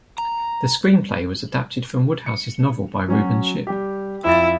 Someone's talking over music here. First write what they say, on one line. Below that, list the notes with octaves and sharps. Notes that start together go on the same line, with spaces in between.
The screenplay was adapted from Wodehouse's novel by Reuben Ship.
A#5
C#7
F#3 C#4 F#4
G3 G4
F2 E4 F4 A6